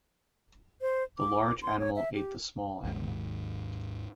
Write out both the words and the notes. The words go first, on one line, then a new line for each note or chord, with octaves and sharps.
The large animal ate the small animal.
C5
D6
C6
C#5
E5
G4
G#1 D#2 G#2